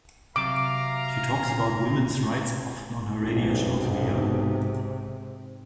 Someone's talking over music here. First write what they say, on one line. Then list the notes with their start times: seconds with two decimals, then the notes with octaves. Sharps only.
She talks about women's rights often on her radio shows, Vida!
0.36 C3 F#3 F5 A#5 D6
3.21 B1 G#2 C3